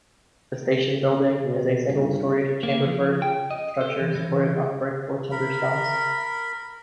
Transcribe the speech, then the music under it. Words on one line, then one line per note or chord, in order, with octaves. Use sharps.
The station building is a single-storeyed chamferboard structure supported on brick or timber stumps.
C#3
B2
G1
A#3
F3
G5
D#5
A4
E3
E3
A#4 B5